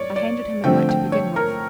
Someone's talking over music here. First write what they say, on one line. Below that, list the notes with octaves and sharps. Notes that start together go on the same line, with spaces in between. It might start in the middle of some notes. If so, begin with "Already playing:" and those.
I handed him a note to begin with.
Already playing: C#5 D5
D5
D3 F3 A3 C4 G5
G5
C#5
A#4